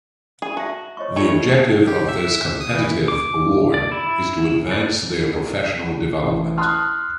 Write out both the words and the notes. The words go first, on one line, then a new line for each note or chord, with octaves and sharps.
The objective of this competitive award is to advance their professional development.
G#4
F#4 E5 A5
C#5 D#5 C#6
A3 F4 G4 C#5 D5
G4
E5
D#6
E3
D6
D5
E4
D5
A1
A5 C6 D#6 F6 F#6